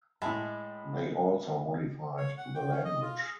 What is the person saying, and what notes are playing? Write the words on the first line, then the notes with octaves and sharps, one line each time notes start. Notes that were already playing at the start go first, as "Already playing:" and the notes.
They also modified the language.
A2 G#3 E5 A5 B5
C#5
F#5
G5
C#4
D#5
F4
G#4